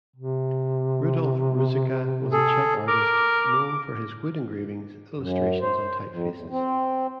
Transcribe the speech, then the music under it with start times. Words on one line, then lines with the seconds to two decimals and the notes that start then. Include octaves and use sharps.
Rudolph Ruzicka was a Czech artist known for his wood engravings, illustrations, and typefaces.
0.16 C3
2.32 G#4 A4
2.88 A#4 D6
5.15 F#2
5.61 C5
6.08 F2
6.35 E2
6.50 C4